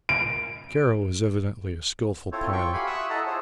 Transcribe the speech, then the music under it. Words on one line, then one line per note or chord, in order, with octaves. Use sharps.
Kara was evidently a skilful pilot.
D7
C4 E4 F4 A4 C5 C#5
F4 G5 C#6
F#4 G4 F5 G#5 B5
E5 C#6 D#6 E6 F#6
E4 A4 D#5 F#5 A5 A#5
F4 G#4 C5 C#5